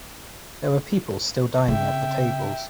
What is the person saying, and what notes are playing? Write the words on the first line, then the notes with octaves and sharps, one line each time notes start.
There were people still dining at the tables.
C#3 C4 E5 G5